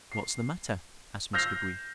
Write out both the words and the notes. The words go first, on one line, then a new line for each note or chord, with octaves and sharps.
"What's the matter?" asked Mr. Brief.
C7
E6 F6 G6 A#6 C7 F7